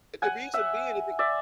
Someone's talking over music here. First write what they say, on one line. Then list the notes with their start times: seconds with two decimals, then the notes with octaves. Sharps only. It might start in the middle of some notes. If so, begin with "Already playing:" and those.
and the reason being it b
0.22 F#5 G#5
0.54 E5 F#5
1.19 D5 E5